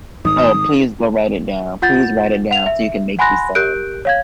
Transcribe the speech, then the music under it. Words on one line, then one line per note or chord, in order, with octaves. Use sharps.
Oh, please go write it down. Please write it down so you can make you some.
G#1 D#4 D#6
F4 F#5 G6 A6
F#5 F7
E5
F#5 G#5 B5 C6 F#6 A#6
G4 A#4 F#6 G6 D7
C#5 F5 G#6